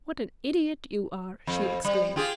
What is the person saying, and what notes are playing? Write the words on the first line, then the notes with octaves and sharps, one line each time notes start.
"What an idiot you are!" she exclaimed.
F2
G3
F4 G4 G#4